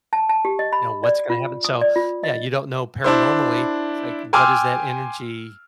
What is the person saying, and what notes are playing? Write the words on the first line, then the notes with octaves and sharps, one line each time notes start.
you know, what's gonna happen, so yeah, you don't know paranormally like, what is that energy
A5
A5
G4
D#5
B5
D5
F4
D#6
D5
F4
D#5
D4 E4 C5
G5 G#5 C6 D6 E6 F6